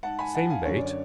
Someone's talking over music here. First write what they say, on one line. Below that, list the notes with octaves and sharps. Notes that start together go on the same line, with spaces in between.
Same bait.
G#2 F#5 A5
G#5 B5
F#5 A5
F5 G#5
F#2 D3 C#5
D5
D5